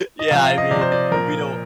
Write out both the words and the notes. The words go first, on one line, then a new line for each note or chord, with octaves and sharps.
yeah, I mean, we don't
D#5
C3 F3 F5
F5
D#5
C3 F3 D5
C5
D5
A#2 F3 A#4